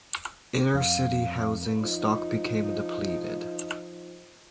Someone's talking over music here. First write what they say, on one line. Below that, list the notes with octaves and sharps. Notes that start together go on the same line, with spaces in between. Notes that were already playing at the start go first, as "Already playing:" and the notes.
Inner-city housing stock became depleted.
F2 F5
F3 D#4